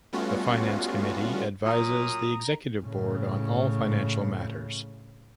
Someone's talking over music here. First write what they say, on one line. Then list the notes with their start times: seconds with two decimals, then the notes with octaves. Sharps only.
The Finance Committee advises the Executive Board on all financial matters.
0.13 G3 A3 B3 C#4 F4 F#4
1.66 A#2 F#3 A#5 D#6
2.83 A2 C#3